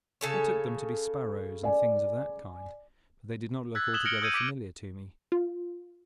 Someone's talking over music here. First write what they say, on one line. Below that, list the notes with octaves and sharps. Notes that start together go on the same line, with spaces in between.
I took them to be sparrows and things of that kind, but they did not look altogether familiar to me.
C#3 A4 C#5
D5 G#5
E6 F#6 G#6 A6 B6
D#6 G#6 B6 E7 F#7 G7
F6 A#6 C#7 D7 F#7 G7
D#6 E6 G6 G#6 C#7 D#7
D6 B6 D7
F4